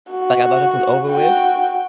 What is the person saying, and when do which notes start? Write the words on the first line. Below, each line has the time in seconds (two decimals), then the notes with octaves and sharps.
like, "I thought this was over with?"
0.11 F#4
1.09 F#4 G5